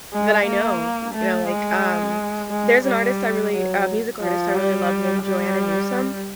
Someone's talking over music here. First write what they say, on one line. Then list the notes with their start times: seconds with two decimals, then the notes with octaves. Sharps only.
that I know, you know, like, um, there's an artist I really a music artist I really love named Joanna Newsom,
0.13 G#3
0.46 A#3
1.14 A3
1.48 G#3
2.50 G#3
2.85 G3
3.53 F#3
4.20 F3
4.55 G3
5.22 G3